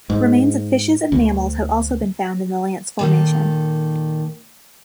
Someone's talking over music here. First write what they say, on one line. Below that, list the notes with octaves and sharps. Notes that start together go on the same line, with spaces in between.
Remains of fishes and mammals have also been found in the Lance Formation.
G#2
D2
A#2 D#3 A4